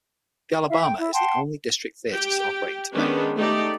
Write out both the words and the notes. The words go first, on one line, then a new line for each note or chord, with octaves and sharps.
The Alabama is the only district theater still operating today.
E4 E5 F5
G5
E4
F#5 G5 A5 C6
G4 G5
D#3 G#3 B3 C#4 D4 B4
A3 D#4 G4 D5